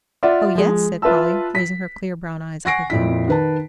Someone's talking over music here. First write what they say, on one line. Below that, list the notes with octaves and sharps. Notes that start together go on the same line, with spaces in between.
"Oh, yes," said Polly, raising her clear, brown eyes up at him.
F4 D5 E5 F#5
F3 G#3
F4 B4 E5 A5 E6
B6
F#5 G#5 C#6 A#6 C7 D7
F2 A#2 E4 B6
D#3 B4 A5